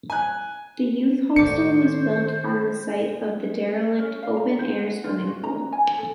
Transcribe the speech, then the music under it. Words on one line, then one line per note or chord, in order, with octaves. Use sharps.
The Youth Hostel was built on the site of the derelict open-air swimming pool.
G#5 F#6
A2 D#3 A3 F#4 C5 D5 C#7
C#4
F5
A#5
C5
F#5
F4
F#4
A#5
G#5
A4